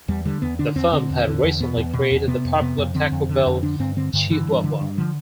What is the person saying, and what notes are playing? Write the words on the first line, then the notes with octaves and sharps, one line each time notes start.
The firm had recently created the popular Taco Bell chihuahua.
E2 G3
D3 G3
E2 B3
D3 D4
E2 C4
D3 C4
E2
D3
E2
B2 B3
E2
B2
E2
C3 B3
F2
C3 B3
F2
D3 C4
F2
D3
F2
D3 D4
G2 C4
D3 C4
G2 D3
D3 E3
G2
D3
G2
D3 F3